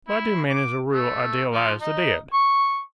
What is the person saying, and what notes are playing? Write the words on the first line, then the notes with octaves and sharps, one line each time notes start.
Why do men as a rule idealize the dead?
E4
D6
A3
F3
D#4
C#6